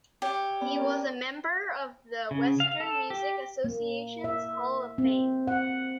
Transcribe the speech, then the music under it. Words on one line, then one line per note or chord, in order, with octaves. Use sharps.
He was a member of the Western Music Association's Hall of Fame.
G4 C#5 E5
B3 C#4 D5
C#4 A#4 D5
C#3
F5
A4
G4
A#3
E5
C4
F#5